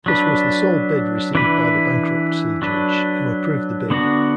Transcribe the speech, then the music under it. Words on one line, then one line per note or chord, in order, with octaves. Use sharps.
This was the sole bid received by the bankruptcy judge, who approved the bid.
F#3 D4 B4
E3 D4 B4
F#3 D4 B4
D3 B3 D4 F#4